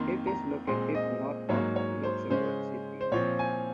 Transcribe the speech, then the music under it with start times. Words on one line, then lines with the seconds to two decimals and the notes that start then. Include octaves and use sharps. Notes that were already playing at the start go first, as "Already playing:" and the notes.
It is located north of Luxembourg City.
Already playing: F2 D#3 A#3 C6
0.27 A#5
0.67 A#2 G#3 C4 C6
0.95 D#5
1.49 G#2 F#3 A#3 C#5
1.76 C#5
2.03 C5
2.30 C#3 G#3 C#4 C5
3.01 C5
3.12 A#2 F3 C4 C#5
3.39 G#5